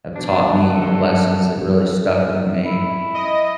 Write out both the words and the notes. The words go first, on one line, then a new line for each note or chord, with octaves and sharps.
have taught me lessons that really stuck with me,
B2 D4
F#3
G2 A4
E4
D#5